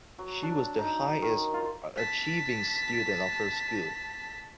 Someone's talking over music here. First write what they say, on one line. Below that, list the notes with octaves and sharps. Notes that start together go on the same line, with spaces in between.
She was the highest achieving student of her school.
F#3
D4
D#4
D#3
F4
A5 B6